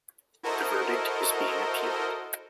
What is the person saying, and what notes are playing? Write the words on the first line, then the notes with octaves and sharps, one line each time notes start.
The verdict is being appealed.
E4 F#4 A4 A#4 C5 D#5